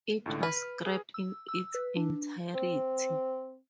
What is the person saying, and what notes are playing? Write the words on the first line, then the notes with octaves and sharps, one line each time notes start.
It was scrapped in its entirety.
C#2 A2 D3
B4 F6
G#4
E6
E6
B4
D4
C4